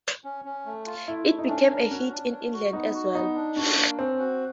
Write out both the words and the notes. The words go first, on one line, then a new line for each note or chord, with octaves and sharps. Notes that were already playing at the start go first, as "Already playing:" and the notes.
It became a hit in England as well.
C#4
C#4
A3
F4
A3 E4
A3
D#4
C#4 D4
A#4
C#4 F#4
D4
D4
F#4
B3 D#4
F#4
B3 D#4
D4
D4 F#4
A#3
C4 C#4
F#4